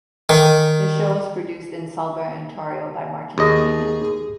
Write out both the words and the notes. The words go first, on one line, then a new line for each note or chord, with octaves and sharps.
The show was produced in Sudbury, Ontario by March Entertainment.
D#3
D#2 G#4 D#5